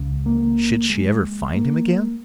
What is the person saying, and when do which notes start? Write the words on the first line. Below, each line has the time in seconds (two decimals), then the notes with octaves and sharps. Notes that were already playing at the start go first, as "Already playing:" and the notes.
Should she ever find him again?
Already playing: C#2 C#3
0.26 A#3
0.90 G#3
1.55 A#3